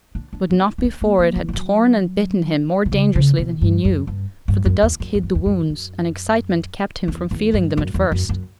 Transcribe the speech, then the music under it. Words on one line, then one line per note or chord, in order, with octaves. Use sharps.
But not before it had torn and bitten him more dangerously than he knew; for the dusk hid the wounds, and excitement kept him from feeling them at first.
D4
D4
B3
D4
C#4
A#3
A#3
E3
G3
F#3
B2
C#3
C#3
B2
G2
F#2
G2
G2
F#2
E2
F#2
G2
F#2
E2
F#2
F#2
E2
E2
G2
F#2
E2
F#2
F#2